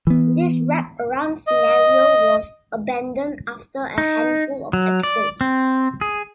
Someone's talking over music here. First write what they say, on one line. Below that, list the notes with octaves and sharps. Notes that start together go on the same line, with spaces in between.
This wraparound scenario was abandoned after a handful of episodes.
E3 B3
D#5
D#4
F#3
D5
C4
G#4